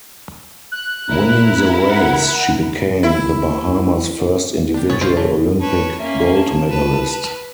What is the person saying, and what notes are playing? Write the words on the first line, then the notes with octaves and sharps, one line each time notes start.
Winning the race, she became the Bahamas' first individual Olympic gold medalist.
F#6
E4 A#4
F#5
E4
D4 G4
C2 B2 B3 G#4 C#5 A6
A#3 F4 C5
E3 C#5 A5
B4 C#5 A5
A#3 C#4 E5
A5
B4